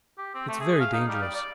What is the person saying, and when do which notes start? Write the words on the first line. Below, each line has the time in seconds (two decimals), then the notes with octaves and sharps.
It's very dangerous.
0.18 G4
0.35 C4
0.48 A3
0.60 G#4
0.80 F5
0.94 D#4
1.08 G3
1.22 D5
1.35 D5